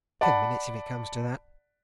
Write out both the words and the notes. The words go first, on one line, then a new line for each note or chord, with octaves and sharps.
"Ten minutes, if it comes to that."
D5 F#5 A5 B5